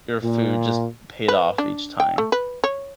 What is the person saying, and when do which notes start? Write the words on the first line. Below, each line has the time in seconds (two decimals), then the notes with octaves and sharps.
your food just paid off each time.
0.23 A#2
1.28 B4
1.58 D4
2.00 G5
2.18 A3
2.32 B4
2.64 C#5